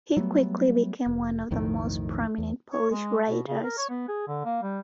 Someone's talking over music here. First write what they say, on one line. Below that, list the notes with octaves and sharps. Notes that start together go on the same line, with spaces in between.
He quickly became one of the most prominent Polish writers.
F#3 G3 A3 B3
F1
B1 F2 A2 D#3
E2
C#5
G#3
B2
C#3
A#4
C#5
B3
G#4
D3
A#3
G3